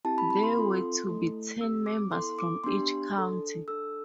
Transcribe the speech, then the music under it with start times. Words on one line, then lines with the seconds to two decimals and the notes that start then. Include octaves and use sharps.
There were to be ten members from each County.
0.05 C4 E4 G4 A5
0.18 B5
0.30 B5
0.43 C6
0.57 C4 F4 A4
1.08 A3 E4 A4
1.60 C4 G4 E6
1.86 D6
2.12 B3 E4 A4 C6
2.39 D6
2.64 B3 D4 G4 C6
3.16 D4 A4
3.68 D4 A4 E6